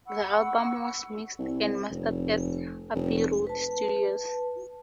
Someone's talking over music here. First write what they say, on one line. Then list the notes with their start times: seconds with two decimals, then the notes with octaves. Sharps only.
The album was mixed and mastered at Abbey Road Studios.
0.07 F#5 B5 C#6 E6
1.39 C2
1.91 F1
2.95 F1
3.47 B4 A5